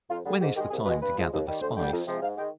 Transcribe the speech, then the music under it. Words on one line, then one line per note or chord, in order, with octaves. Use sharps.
When is the time to gather the spice?
F2 F4
D3 G3 G#4
G#2 G4
D#3 G#3 G4
C2 G#4
B2 G#3 B4
G2 B4
F3 G#3
D#2
D#3 G3
D2 C5
D3 G3 G5
F2
C3 F3 G#3
G#2 F5
D#3 G#3 G5